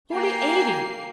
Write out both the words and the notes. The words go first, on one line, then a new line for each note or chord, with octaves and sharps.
"Fully eighty."
A#3 G5 G#5 A#5 C7